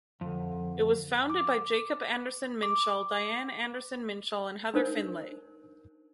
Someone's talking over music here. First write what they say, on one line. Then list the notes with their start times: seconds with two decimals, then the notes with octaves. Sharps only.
It was founded by Jacob Anderson-Minshall, Diane Anderson-Minshall and Heather Findlay.
0.21 F2 D3
1.30 D6
2.63 D6
4.74 D4 D#4 A#4 C5